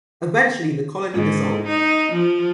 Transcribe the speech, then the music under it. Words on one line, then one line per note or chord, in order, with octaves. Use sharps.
Eventually the Colony dissolved.
G#2
D#4
F3